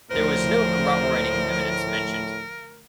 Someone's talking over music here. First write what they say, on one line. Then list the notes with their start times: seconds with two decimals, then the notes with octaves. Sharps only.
There was no corroborating evidence mentioned.
0.11 D2 A2 F3 A#4 C5